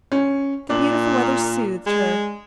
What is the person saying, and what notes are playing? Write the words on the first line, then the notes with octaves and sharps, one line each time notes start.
The beautiful weather soothed her.
C#4
A#2 D4
G#3